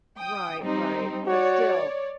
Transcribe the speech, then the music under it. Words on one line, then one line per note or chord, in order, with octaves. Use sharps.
Right, right, but still
G5 D#6
G3 C4 D#4
F#4 C#5 D5